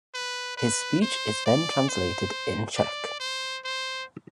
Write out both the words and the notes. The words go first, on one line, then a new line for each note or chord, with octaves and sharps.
His speech is then translated in Czech.
B4
B4
C5
D5
C5
D5
C5
C5